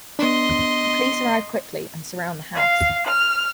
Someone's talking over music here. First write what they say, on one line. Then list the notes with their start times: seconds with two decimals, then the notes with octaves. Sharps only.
The police arrive quickly and surround the house.
0.19 B3 D4 D#5 C6
2.57 F5
3.07 F6